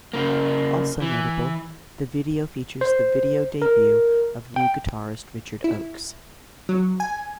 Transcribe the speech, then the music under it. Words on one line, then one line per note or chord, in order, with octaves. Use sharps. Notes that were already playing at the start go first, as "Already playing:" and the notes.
Also notable, the video features the video debut of new guitarist Richard Oakes.
C#3 A#3
E3
C5
A#4
G5
E4
F#3
G#5